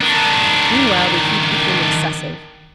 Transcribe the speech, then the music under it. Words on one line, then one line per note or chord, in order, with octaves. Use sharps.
Meanwhile the heat became excessive.
D#3 D4